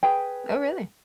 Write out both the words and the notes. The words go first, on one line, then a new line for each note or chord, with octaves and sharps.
Oh, really?
G#4 B4 G5